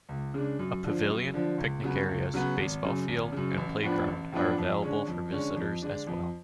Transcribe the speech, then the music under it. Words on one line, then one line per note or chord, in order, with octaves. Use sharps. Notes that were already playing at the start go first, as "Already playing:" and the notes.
A pavilion, picnic areas, baseball field, and playground are available for visitors as well.
C#2
C#3 G#3 D4
F#2
D3 F3
F#2
D3 F3
C#2
C#3 F#3 B3
C#2
C#3 F#3 B3
G#1
F#2 C#3
G#1
F#2 C#3
A1
A2 F3 B3 D4
A1
A2 F3 B3 D4
F2
D3 G#3 C#4
F2
D3 G#3 C#4
F2
D3 G#3 D4
F2